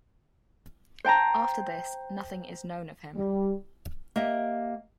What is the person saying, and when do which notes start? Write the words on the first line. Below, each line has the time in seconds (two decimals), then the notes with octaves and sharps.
After this nothing is known of him.
1.05 C5 G5 A5 A#5
3.16 G3
4.16 A#3 G4 D#5 E5